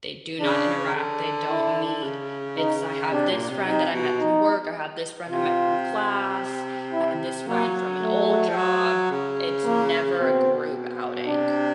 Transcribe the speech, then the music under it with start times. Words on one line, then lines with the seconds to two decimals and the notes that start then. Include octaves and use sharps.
They do not interact, they don't meet. It's I have this friend that I met from work, I have this friend I met from class, I have this friend from an old job, it's never a group outing.
0.40 C#3 D4
0.94 D3
1.49 E4
2.03 C#3
2.58 D#4
3.12 C3 D4
3.30 A#2
3.49 C3
3.66 C3 D#4
3.93 B2
4.20 D#4
5.30 C3 F4
6.93 E4
7.47 F#3 A#3
8.01 A3
8.48 F3
8.57 F#3
9.11 C#3
9.65 A#3
10.19 B2 C4
11.28 C3 D4